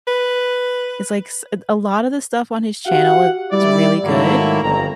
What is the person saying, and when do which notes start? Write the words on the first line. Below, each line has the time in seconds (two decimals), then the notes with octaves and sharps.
it's like s a a lot of the stuff on his channel is really good,
0.07 B4
2.86 F#4 G4 F5 F#5
3.51 G3 E4 D5
4.04 G#2 D#3 F#3 A3 A#3 E4
4.62 G1 F2 A#5